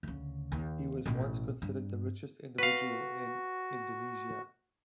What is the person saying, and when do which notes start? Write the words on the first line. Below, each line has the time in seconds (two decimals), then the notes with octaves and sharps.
He was once considered the richest individual in Indonesia.
0.03 D2 C#3
0.52 D#2
1.06 A1 B2
1.62 G2
2.58 F#4 B4 F5